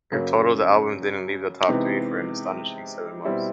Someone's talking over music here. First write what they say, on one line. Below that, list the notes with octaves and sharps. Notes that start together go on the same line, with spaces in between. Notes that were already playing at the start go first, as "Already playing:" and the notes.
In total, the album didn't leave the top three for an astonishing seven months.
F#2 C#3 F#3 A#3
C3 E3 G#3 B3 D#4
B2 G3 C4 E4